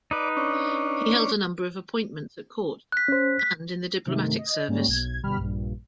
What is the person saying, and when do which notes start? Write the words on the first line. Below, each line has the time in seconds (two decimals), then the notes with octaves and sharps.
He held a number of appointments at court and in the diplomatic service.
0.11 D#4 B4 D5
0.37 C#4 D4
2.92 F#6 B6
3.08 C#4 C5
3.39 B6
4.06 G2 C3 D#3 A3
4.39 D#5
4.68 G#2 G3 A#3 C#4
4.87 B1 G#6
5.23 G1 B2 G3 G4 B5 F6
5.38 A#1 G2